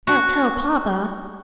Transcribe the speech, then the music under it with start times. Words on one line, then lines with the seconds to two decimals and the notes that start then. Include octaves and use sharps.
"I'll tell papa."
0.07 F#4